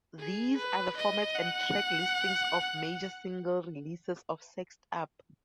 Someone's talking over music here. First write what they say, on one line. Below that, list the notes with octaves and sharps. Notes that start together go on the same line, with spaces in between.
These are the formats and track listings of major single releases of "Sexed Up".
G#4
B4
D#5
F#5